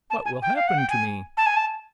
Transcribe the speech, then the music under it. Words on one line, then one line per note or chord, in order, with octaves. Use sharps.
What will happen to me?
A5
G#5
G5
F5
F#5
G5
G#5
A5
G#5
A5